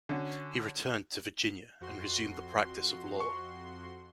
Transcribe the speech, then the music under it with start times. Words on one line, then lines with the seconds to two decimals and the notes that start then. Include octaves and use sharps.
He returned to Virginia and resumed the practice of law.
0.09 D3 C#4 F#4
1.81 F2 F#4 C6
3.20 C#6